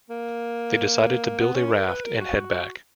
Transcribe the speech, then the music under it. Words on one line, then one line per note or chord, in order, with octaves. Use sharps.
They decided to build a raft and head back.
A#3
B3
C#4
A#4
B4
A#4
F#4